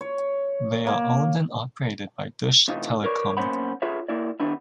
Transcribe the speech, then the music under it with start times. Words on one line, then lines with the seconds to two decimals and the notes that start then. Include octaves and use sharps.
They are owned and operated by Deutsche Telekom.
0.01 C#5
0.87 A#3
2.68 A2 C3 E3 D#4 F4
3.04 A#4 B4 C#5 D5
3.37 B1 A#3 C#4 C5 F#5 B5
3.82 F4 G#4 A4 B4 C#5 E5
4.08 A#3 E4 D5
4.40 D#3 G3 B3 D4 E4